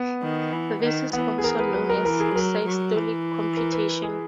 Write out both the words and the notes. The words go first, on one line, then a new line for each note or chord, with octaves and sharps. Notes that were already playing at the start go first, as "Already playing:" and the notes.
This is also known as systolic computation.
Already playing: B3
D#3
E3
D#3
E3 B3
G#4
E3 A#4
B4
F#3 B4
A#4
E3 A#4
G#4
F#3 A#4
F#3
E3
A#4
B4
G#4